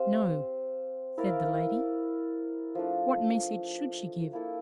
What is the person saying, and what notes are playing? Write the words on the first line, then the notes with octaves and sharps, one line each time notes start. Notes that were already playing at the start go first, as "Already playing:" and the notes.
"No!" said the lady; "What message should she give?"
Already playing: C4 G4 C5 F5
E4 A#4 D5 F5
F3 A3 D4
A#3 E4 A4